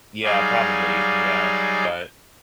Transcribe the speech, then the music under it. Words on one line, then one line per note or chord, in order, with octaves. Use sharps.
yeah, probably, yeah, but
F#3 G3 D#4 G#4 D5 F5